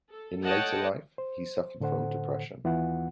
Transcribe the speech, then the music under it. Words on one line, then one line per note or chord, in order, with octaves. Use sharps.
In later life, he suffered from depression.
A4
A4 C#5 D#5 F#5 G5 A5
C5
A2 D3 A4 C5 F#5
D#2 E3 B3 F4 F#5